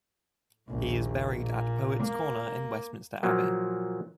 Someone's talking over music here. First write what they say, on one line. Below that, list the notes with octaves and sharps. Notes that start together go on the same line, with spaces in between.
He is buried at Poets' Corner in Westminster Abbey.
A#1 D#2
A#2
A#3
A#2 F3 F#3 A#3